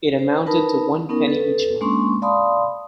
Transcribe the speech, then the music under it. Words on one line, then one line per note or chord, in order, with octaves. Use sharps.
It amounted to one penny each month.
C5
D#4 A#4 B4 A5 B5
B3 C#4 D#4 A#4
A4 B4
G#3 A#3 C#4 D4 C6 C#6
D5 F5 A5 B5 C6 D#6